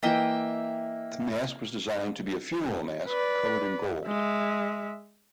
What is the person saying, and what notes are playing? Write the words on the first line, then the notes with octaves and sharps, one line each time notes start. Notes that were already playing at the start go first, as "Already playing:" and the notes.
The mask was designed to be a funeral mask covered in gold.
E3 A#3 D#5 E5 G5
B4 D5
G#3 E5